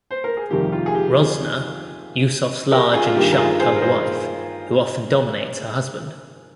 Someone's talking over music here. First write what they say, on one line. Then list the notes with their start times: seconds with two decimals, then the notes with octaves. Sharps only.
Rosnah - Yusof's large and sharp-tongued wife who often dominates her husband.
0.11 C5
0.24 A#4
0.37 G#4
0.49 F2 C3 D#3 G3 A#3 G4
0.72 F4
0.86 G#4
0.95 G4
2.71 G4 A#4
2.94 F4 G#4
3.07 F4
3.16 G2 D#3 A#3 G4
3.32 A#4
3.37 F4 G#4
3.59 G#4 C5
3.76 A#4
3.82 G#4 C5